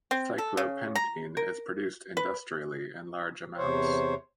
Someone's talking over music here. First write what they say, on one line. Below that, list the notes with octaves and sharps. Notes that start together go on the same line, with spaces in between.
Cyclopentene is produced industrially in large amounts.
C4
A4
C#3
A#5
A#4
B4
E2 C3 C5 C#5